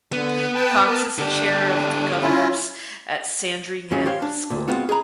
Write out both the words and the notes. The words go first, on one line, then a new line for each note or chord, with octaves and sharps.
Cox is the Chair of Governors at Sandringham School.
D3 B3
B4 G5 A5
A#4 A5
D3 D4 G4
C#4 E4 F4
D#2 G#2 F#3 C#4 F4 G#4
G4 C5 C#5 F5
D4
D2 A#2
G#3 B3 C4 F4 F#4
G#4 D#5 F#5 A#5 B5